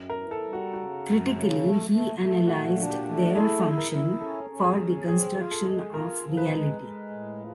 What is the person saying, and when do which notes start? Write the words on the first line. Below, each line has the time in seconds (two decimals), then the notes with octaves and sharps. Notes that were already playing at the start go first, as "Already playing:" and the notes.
Critically he analyzed their function for the construction of reality.
Already playing: F#2
0.10 A#4
0.16 E3
0.31 A4
0.45 G3
0.53 F#4
0.73 C#3 F#4
1.03 F#2
1.31 C#3
1.61 A3
1.90 A3
2.19 A3
2.47 A#2 F#4
2.76 D4
2.90 G4
3.05 A3
3.34 E4 G#4
3.64 E4
3.78 A#4
3.92 E4
4.20 C#4 A4
4.50 C#4
4.64 G#4
4.78 C#4
5.07 C4 G#4
5.36 F4
5.51 A4
5.66 G#3
5.94 F4 A#4
6.24 F3
6.37 B4
6.52 G#3
6.81 G#3
7.10 A2
7.38 F3